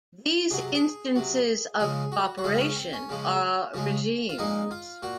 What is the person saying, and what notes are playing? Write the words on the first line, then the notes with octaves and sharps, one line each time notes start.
These instances of cooperation are regimes.
C3 F#3 G#4
G#4
C3 F#3
C#3 F3 G#3 G#4
F#4
F#4
C#3 F3 G#3 F4
C4
C#4
C4
C#4
C#3 F3 G#3
C#3 F3 G#3
F4
A#2 F3 G#3 D#4
F4
A#2 F#4